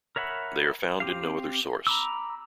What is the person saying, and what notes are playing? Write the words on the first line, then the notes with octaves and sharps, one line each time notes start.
They are found in no other source.
A#4 C#5 E5 F#5 B5
C4 G4 F5
A#5 B5 D6 E6